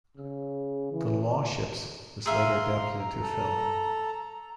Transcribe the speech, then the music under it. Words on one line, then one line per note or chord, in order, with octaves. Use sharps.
"The Long Ships" was later adapted into a film.
C#3
E3
G#4 E5 F5 A#5 C6
A4